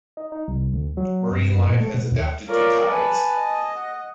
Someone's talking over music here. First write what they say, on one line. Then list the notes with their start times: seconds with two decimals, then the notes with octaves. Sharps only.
Marine life has adapted to tides.
0.17 D#4
0.32 D#4
0.48 C2
0.74 D2
0.97 F#3
1.31 G2
1.54 F#2
1.68 A#2
1.80 A3
1.94 B2
2.12 D#2
2.49 F4 A#4 C#5 D5 F5
2.90 B4 G#5 A5
3.35 D#5
3.76 F#5